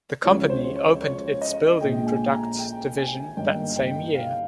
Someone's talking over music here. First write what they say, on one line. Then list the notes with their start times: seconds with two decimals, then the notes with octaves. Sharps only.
The company opened its building products division that same year.
0.24 C#2 C#3 F3 C#5
0.50 C5
0.76 C#5
1.02 C#5
1.42 D#5
1.81 A#1 A#2 G#3 G5
2.06 G#5
2.33 A#5
2.59 G5
2.98 G#5
3.37 G1 G2 D#3 A#3 G5
3.76 G5
4.15 F5